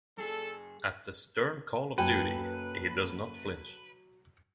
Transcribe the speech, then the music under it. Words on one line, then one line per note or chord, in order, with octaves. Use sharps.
At the stern call of duty he does not flinch.
F#2 G#4 A4
F#2 F#3 A#3 A4 B4 G5 G#5